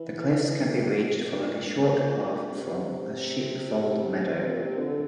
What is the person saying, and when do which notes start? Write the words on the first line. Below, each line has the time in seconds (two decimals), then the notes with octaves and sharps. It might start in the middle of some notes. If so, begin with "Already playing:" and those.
The cliffs can be reached following a short path from the Sheepfold Meadow.
Already playing: E3
0.70 C3
1.16 A#2
1.38 A#2
2.47 D3
2.51 C3
3.42 C3
4.33 C3
4.48 A#2
4.63 C3
4.78 D3